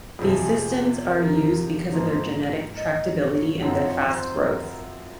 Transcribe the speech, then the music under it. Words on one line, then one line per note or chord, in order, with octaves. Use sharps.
These systems are used because of their genetic tractability and their fast growth.
F2 C3 F3 G#4
A#4
G#2 F3 A#3 D#4 C5
D#5
C#5
F#2 F3 C4 D#4 F#4 C#5
C5
A#4